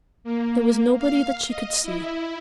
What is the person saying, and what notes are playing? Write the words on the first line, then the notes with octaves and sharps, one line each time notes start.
There was nobody that she could see.
A#3
F5
D#5
E4